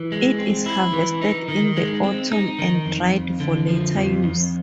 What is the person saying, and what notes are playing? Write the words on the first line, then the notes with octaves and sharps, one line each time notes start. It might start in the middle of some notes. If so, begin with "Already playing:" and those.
It is harvested in the autumn and dried for later use.
Already playing: E3
G#3
C4
E4
E3
D#4
D#3
G#3
C4
D#4
D#3
F2
F2
D3
F3
F2
F2